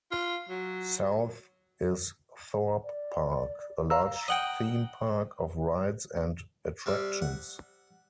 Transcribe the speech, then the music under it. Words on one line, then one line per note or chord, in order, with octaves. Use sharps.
South is Thorpe Park, a large theme park of rides and attractions.
F4
F#3
D5
F5 A#5 E6
D#5 F#5 G5
C3 G3 C4
F#5